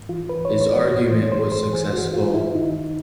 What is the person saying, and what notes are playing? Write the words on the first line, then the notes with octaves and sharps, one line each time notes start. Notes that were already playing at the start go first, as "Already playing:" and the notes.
His argument was successful.
Already playing: G#2
E3 F4
E3 B4
C#5
E3 C5
C#5
E3 D5
G2 C#5
E3 C5
C#5
G2 C5
G2 C5
E3 G#4
G2 F#4
G2 F4
G2 E4
D#3 D#4
D#3